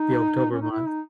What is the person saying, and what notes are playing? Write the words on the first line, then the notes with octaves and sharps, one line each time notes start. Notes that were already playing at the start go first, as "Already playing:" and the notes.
the October month,
Already playing: D#4
C#4
D#4
E4
D#4